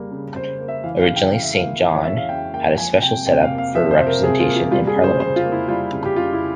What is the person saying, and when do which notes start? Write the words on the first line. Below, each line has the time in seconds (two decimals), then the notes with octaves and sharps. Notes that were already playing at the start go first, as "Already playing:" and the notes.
Originally, Saint John had a special setup for representation in Parliament.
Already playing: C#3 G3 A#3
0.12 C#3
0.36 C#3 C5
0.60 A#3
0.68 E5
0.84 E3 F5
1.00 F5
1.09 C#3
1.16 G5
1.32 C#3 F5
1.43 E5
1.54 A#3 F5
1.81 E3
1.93 C#5
2.05 C#3 E5
2.17 F5
2.29 C#3 G5
2.53 A#3 G5
2.78 F3 G#5
3.02 C3 G5
3.26 C3 G5
3.43 F5
3.51 A#3
3.58 F5
3.75 F3 E5
3.91 C5
3.98 C3
4.07 A#4
4.23 C3 G#4
4.39 F4
4.47 A#3
4.56 F4
4.71 G3 F4
4.87 G#4
4.96 C#3
5.04 C5
5.20 C#3 C5
5.36 F4
5.44 A#3
5.52 E4
5.68 G3 F4
5.93 C#3
6.05 G4
6.16 C#3 F4
6.33 E4